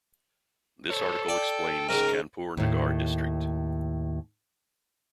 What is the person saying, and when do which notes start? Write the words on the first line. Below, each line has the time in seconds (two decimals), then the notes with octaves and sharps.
This article explains Kanpur Nagar district.
0.90 A4 C5 C#5
1.29 D5 G5
1.89 G#2 C#3 A#4
2.57 D#2 A2